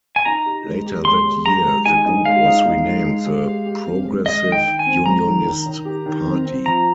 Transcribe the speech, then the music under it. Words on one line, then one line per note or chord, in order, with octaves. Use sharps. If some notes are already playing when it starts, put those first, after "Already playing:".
Later that year, the group was renamed the "Progressive Unionist Party".
G#5
D#4 A#5
G4
G#3
G4
G#3 C6
G#3
G4 A#5
G#3
D#4 G#5
D#4
G#3 F5
D#4
D#4
G#3
G#3
G#3
G4
G4
C4
G#3
G#3 D#5
D#3
G5
D#3
G#5
C4
G#3 A#5
D#3
D#3
D#3
G4
D#3
C4
C4
F3 A#5